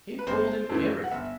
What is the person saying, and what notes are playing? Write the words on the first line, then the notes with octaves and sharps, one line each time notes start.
He told him everything.
B4
G1 C5
F#2 E3 A3
F#5
G1 E5